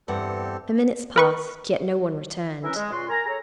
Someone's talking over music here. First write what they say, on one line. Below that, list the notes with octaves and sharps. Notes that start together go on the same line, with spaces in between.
The minutes passed, yet no one returned.
E2 G2 C4 G4 A4 F#5
A#4 B4 C#6
E3 F#3 C#4 A#4 B4 E5
G#3
C#2 A#2 F4 F#4 C6
A#4 G#5 A#5
G#4 A4 C#5 A#5